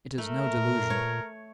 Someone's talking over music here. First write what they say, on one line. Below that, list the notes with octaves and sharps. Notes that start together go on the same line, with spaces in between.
It is no delusion.
A3 A#4
A#2
C#5